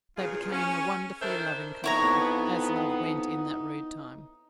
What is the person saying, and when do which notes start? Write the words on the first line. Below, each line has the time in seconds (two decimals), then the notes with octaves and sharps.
They became a wonderfully loving couple, as love went in that rude time.
0.17 E2 A#2 C#3 F4 G#4
0.51 C#4
1.21 D#3 D4 E4 A4 A#4 C5
1.84 F2 F3 B3 D#4 E4 C#5 A#5